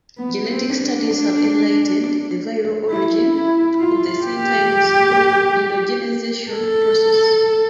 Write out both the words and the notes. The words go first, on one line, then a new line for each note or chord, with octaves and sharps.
Genetic studies have enlighted the viral origin of syncytins through endogenization process.
B3
C4
D4
E4
E4
F4
G4
A4